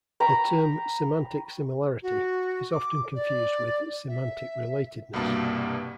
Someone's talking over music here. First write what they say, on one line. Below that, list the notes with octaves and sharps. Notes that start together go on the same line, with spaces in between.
The term semantic similarity is often confused with semantic relatedness.
G5 A#5 B5 C#6
F#4
D6
D5
E5
C2 G2 B2 A#3 A5